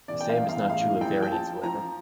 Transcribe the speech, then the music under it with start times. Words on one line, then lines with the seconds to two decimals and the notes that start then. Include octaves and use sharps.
The same is not true of variance, however.
0.08 E2 D5
0.21 G5
0.29 F5
0.39 E2
0.49 F5
0.70 A2 F5
1.01 A#1 G5
1.23 G5
1.32 F3 A5
1.63 F3 A#5